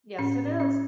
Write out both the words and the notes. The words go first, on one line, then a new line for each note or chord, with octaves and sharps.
Yes, it is.
A2 C#4
A2
C#4